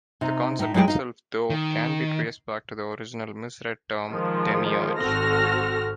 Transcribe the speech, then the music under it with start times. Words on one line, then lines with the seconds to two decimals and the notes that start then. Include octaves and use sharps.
The concept itself though can be traced back to the original misread term demiurge.
0.21 C3 D#4
0.59 A2 D#4 E5
0.74 F#3 G#3 E4 G#4 G5
0.88 D#4 F5
1.50 D#3
4.10 D#3 F3 G#3
4.99 G#1 C4 F#4 A4 F6 A#6